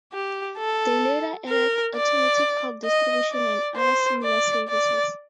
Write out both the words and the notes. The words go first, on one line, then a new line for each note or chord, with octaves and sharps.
They later added automatic call distribution and other similar services.
G4
A4
A#4
D5
D#5
D5
C5
D5
D5